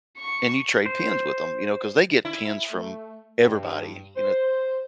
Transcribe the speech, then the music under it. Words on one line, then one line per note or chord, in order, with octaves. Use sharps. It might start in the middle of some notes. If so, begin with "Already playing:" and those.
and you trade pins with 'em, you know, 'cause they get pins from everybody. You know, th
C#6
C5
E4
A3
G2
C5